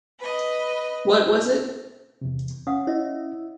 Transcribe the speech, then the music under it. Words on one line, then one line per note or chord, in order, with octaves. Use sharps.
What was it?
B4 D#5
E2 C3
C#4 F5 F#5 D#6
E4 C#5 D#5 E5